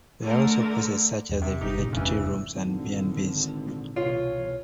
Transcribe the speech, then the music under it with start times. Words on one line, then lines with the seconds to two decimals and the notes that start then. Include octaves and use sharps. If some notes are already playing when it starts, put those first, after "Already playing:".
There are also places such as the Village Tea rooms and B and Bs.
0.21 D3 A3 A4 A#4
1.29 E2
1.42 C3
1.61 G1 D#4 G4
1.77 A#2 C#3 G#3
1.93 F1 E2 G2 C#3 E3
2.55 G#1 A#2 D3 D#3
3.96 C2 B2 E3 F4 C#5